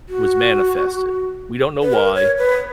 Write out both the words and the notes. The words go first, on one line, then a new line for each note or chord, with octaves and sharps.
was manifested. We don't know why.
F#4
B4
A#4
C#5
B4